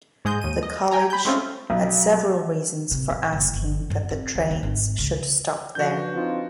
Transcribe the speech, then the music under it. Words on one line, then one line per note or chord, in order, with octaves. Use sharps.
The college had several reasons for asking that the trains should stop there.
G#2 G#3 D#5 G6
D#2 D#7
D#5
G5 G#5 A#5
B5 G6
G#3 A3 C4 C#4 F4
B1
C3
A2
F#1
G1
G2
C4
D2
D#2
G#1
C#2
F3 B3 D4 F#4 G6
C4 D#4 F4